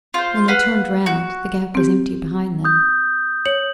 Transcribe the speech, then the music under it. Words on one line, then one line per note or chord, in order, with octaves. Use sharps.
When they turned round The Gap was empty behind them.
F4 C5
B4 F5 F#5
F#4
C4 G4
D#6 G6
C#5 F#7